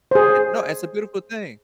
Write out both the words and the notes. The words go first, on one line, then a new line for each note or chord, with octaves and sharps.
Eh, no, it's a beautiful thing,
G#4 C5